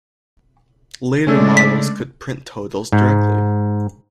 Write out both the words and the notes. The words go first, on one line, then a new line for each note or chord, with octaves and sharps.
Later models could print totals directly.
C#3 G#3 A3 C#4 D4 D5 E6
B6
G#2